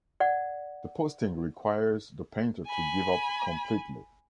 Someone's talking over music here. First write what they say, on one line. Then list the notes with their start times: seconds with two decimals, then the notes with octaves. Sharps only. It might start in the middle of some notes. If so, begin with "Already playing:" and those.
The posting requires the painter to give up completely.
0.20 D5 F#5
2.67 G#5 B5